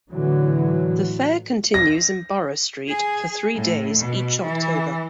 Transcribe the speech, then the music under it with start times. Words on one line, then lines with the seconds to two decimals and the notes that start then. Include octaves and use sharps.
The Fair continues in Borough Street for three days each October.
0.10 A2 D3 E3 F#3
1.74 A#6
2.89 G#4
3.55 A2
4.00 B2
4.42 E3